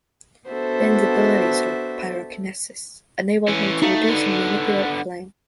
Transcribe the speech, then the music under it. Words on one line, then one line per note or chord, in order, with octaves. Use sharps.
Ben's abilities are pyrokinesis, enabling him to produce and manipulate flame.
B3 D4 F#4 A4 C5 E5
E3 C#4
A3 D#4 F#4 F5
D3 B3